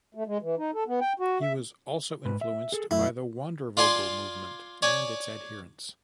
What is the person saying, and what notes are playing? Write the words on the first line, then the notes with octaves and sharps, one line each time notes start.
He was also influenced by the "Wandervogel" movement and its adherents.
A3
G#3
E3
D#4
A4
B3
G5
F#4
E5
G#2 B4
E5
G#4 A4
F#2 A3 E4
F4 D5 F5 G#5 C6
C#5 D5 G#5